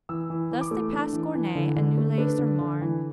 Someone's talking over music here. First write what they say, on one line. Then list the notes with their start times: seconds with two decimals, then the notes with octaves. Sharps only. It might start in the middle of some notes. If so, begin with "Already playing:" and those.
Thus they passed Gournay and Neuilly-sur-Marne.
0.09 E3 E6
0.30 E3
0.51 E3
0.61 D6
0.71 A3
0.93 D4
1.13 E3
1.35 E3
1.55 D3
1.76 D3
1.98 A3
2.18 D4 B4
2.39 D3
2.61 D3
2.81 E3